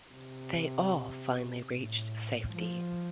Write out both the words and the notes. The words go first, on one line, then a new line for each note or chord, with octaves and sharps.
They all finally reached safety.
C3
A2
F3